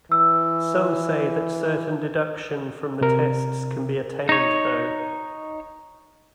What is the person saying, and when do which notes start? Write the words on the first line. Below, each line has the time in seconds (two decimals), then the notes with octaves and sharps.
Some say that certain deduction from the tests can be attained, though.
0.12 E3 E6
3.01 C3 A#4
4.29 D#4 C#5